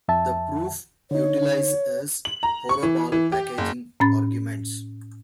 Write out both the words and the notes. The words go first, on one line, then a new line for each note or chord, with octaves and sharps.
The proof utilizes horoball-packing arguments.
F2 E5 A5
D3 D#4 C#5
F#7
A#5
C#6
E3
E3
G4
F#1
A2 C#4 B5 A6